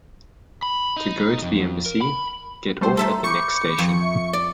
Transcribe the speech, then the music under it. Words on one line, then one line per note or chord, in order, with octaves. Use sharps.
To go to the embassy, get off at the next station.
B5
D#4
F2
A#4
B5
G3 A3 C5
A4 E5 A5 A#5
B5 C#6 D6 G6 C#7
F2
E5
D5